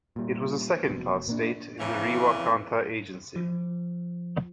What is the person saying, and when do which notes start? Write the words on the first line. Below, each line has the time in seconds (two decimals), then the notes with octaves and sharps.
It was a second class state in the Rewa Kantha Agency.
0.16 A#2 G3
0.89 F1 B2
1.28 A#2 A#3 B3 D4
1.79 F2 C#3 E3
3.36 F3